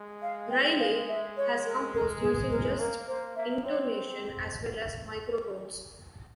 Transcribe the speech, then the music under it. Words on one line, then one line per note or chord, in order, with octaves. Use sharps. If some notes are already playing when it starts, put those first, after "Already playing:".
Riley has composed using just intonation as well as microtones.
Already playing: G#3
F5
G5
F5
E5
C#5
A#4
A#4
G#4
A#4
A#3 A#4
A#3 C5
A#3 E5
C4 C#5
C5